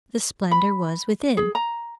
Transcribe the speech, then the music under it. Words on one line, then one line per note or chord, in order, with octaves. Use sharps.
The splendor was within.
B5
G#4
A#5